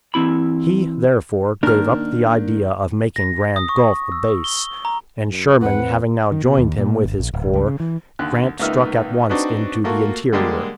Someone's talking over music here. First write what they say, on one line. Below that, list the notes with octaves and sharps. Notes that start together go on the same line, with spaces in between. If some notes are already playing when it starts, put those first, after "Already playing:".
He, therefore, gave up the idea of making Grand Gulf a base, and Sherman having now joined him with his corps, Grant struck at once into the interior.
E3 C4 E4 B5
D#3 A#3 D4 A#4 F6
A#6
D#6
C#6
E6
G7
A#5
F#2
E2 A2 C4 B4 F#5
D#3
B2
D#2
A#2
G1
A#1
D1
C#2
C#3
E3
D#2 D3 F#6
C#2 A#3 B3 D#4 E5 F6
C4 D4 D#4 F#4 B4
A3 A#3 F4 F#4
D3 G3 G#3 A#3 D4